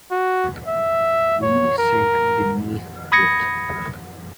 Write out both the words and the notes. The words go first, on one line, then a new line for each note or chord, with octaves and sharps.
We sink beneath it.
F#4
E5
C#5
A#4
B5 D#6 G#6 A#6 C#7